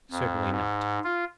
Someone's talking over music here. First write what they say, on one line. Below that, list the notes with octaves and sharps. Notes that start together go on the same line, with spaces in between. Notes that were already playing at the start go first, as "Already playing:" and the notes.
Certainly not.
F2
G#2
F4